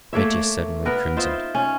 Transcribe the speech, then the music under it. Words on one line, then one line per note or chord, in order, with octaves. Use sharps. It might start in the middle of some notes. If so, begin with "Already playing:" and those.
Mitya suddenly crimsoned.
A3 A#3 C#5 E5
B3 A#4 B4 F#5
D#4 F4 C5 E5
C#4